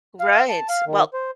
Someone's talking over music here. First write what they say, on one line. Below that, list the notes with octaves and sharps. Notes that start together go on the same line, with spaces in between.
Right, well,
F5
A5
F5
D#3
C5